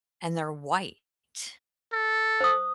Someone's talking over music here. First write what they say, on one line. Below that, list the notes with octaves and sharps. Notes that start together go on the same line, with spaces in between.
and they're white,
A4
C5 D#6